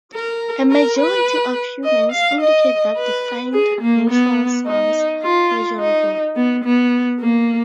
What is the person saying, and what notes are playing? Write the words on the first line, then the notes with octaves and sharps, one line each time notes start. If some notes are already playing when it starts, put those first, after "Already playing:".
A majority of humans indicate that they find natural sounds pleasurable.
A#4
A#4
B4
D#5
F5
D#5
B4
G#4
A#3
B3
D#4
F4
D#4
B3
B3
A#3